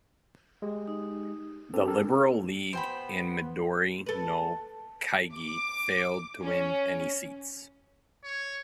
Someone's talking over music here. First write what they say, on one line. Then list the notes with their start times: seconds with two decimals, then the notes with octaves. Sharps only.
The Liberal League and Midori no kaigi failed to win any seats.
0.62 G#3 G4
0.87 D#4
1.74 C4 D4 A4
1.86 G4 A4 A#4
2.73 B3 C5 G5 B5
4.06 A4 B4
5.36 D6
6.43 C#4
8.24 C#5